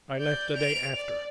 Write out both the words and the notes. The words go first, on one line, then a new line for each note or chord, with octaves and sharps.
I left a day after.
D5 G6
D7 F7
D5